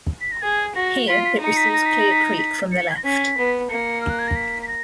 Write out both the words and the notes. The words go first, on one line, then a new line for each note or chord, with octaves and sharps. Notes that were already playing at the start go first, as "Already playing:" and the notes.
Here it receives Clear Creek from the left.
B6
A#6
G#4 G#6
F#4 A#6
F4 B6
B6
D#4
C#7
B6
A#6
B6
A#6
B6
A#6
B6
C#7
G#6
A#6
C#4 B6
B3
A#3 C#7
F6
F#6
G#6
A#6
B6
B6
A#6